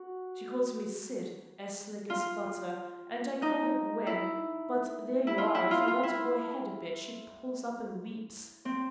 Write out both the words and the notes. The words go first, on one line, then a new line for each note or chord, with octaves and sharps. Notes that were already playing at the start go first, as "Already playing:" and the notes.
She calls me 'Syd' as slick as butter, and I call her 'Gwen'; but there you are--if I want to go ahead a bit she pulls up and weeps.
Already playing: F#4
F4
D#4
E4
E4
F4
E4
F4
F4
E4
C4